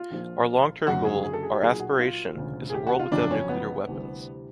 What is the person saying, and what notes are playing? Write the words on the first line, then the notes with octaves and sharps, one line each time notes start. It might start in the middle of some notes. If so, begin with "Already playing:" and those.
Our long-term goal, our aspiration, is a world without nuclear weapons.
Already playing: F4
A#1 A#2 F3
F#1 F#2 D3 F#3 F#4
G#4
G#4
A4
G#4
G4
B1 A#2 F#3 G#4
F#4
F4
E1 D2 C#3
G#4
G4
F#4
F4
G1 F2 C#3 F#3 D4
C#4
B3
D2 C3 E3 G3